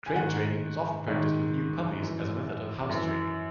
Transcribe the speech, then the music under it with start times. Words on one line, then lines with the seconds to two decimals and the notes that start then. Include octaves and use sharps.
Crate training is often practiced with new puppies as a method of house-training.
0.06 G#5
0.16 G#2 D#3 F#5
1.08 G#2 D#3
1.98 F#2 E3
2.89 F#2 E3